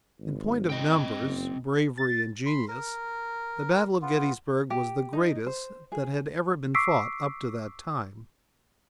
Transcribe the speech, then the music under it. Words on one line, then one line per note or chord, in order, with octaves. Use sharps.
In point of numbers, bravery and genius, the battle of Gettysburg was the greatest that had ever been fought up to that time.
G#1
C4 D#5 G5
F#1
A6
B5 C6
A#4
B3 F4
G4
D#4
C5
G#4
C#6 D6 E6 B6 C7 D7